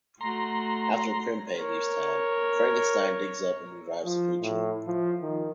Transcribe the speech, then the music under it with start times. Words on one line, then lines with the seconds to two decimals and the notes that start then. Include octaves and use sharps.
After Krempe leaves town, Frankenstein digs up and revives the creature.
0.21 A3 F#4 A#5 C6
1.58 A#4 C#5
4.05 F3
4.42 A2
4.87 F3
5.22 D#3